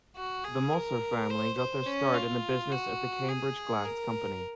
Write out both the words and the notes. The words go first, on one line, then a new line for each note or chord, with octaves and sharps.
The Mosser family got their start in the business at the Cambridge Glass Company.
F#4
G#4
A#4
C5
C5
C#4
F4
F#4
G#4
A#4